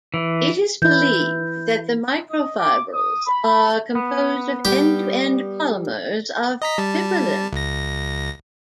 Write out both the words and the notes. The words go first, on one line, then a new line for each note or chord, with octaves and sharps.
It is believed that the microfibrils are composed of end-to-end polymers of fibrillin.
E3
E3 E4 G6
D#5
D6
D#6
B5
B3
G3 G4
D#5 A#5 B6
G3 A5
C#2 A#6